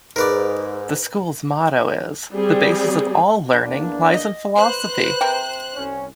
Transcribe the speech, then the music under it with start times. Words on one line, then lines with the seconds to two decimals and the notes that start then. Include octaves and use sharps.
The school's motto is "The basis of all learning lies in philosophy".
0.16 G#2 A#4 B4 D5
2.33 G3 C4 G#4
3.53 E2 E3 A#3 D4
4.14 D#5
4.58 B4 C5 F#6
5.21 C3 A#4 G5
5.75 C2 C#4